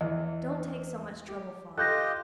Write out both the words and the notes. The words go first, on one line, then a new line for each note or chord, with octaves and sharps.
Don't take so much trouble, father.
E2 E3 D#5
G4
F4 G4 A4 D#5 F#6 G6 A#6